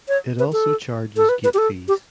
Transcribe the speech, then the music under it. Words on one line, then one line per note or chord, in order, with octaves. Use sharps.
It also charges gate fees.
C#5
B4
A4
A4
B4
B4
G4
A4
G4